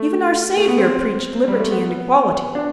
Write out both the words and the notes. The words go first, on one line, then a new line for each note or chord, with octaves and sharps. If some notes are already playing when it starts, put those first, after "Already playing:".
Even our Saviour preached liberty and equality.
Already playing: A3
A3
B3
C4
G3
A3
B3
D4